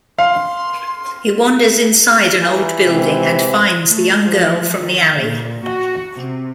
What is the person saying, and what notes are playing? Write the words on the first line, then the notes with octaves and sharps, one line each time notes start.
He wanders inside an old building and finds the young girl from the alley.
F5 C6
E3
C3 G#3 C4
A3
F3
D#3
A#2
F#4
C3